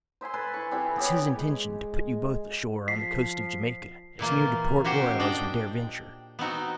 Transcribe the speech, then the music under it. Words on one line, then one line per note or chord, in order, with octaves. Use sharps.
It's his intention to put you both ashore on the coast of Jamaica, as near Port Royal as we dare venture.
C5 E5 G#5 C6
A4 B4 G#5 C6
E4 C#6
G3 C4 E4 A4
B3 G4 C#5
G#3
F3 B6 C7
A#2 E3 A#3 F4
C#4 F#4 G4 C5 C#5
D4 D#5 G5
B3 C4 D#4 F#4